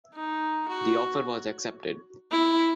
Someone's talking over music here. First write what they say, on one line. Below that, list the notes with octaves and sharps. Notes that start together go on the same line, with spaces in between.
The offer was accepted.
D#4
F#4
E4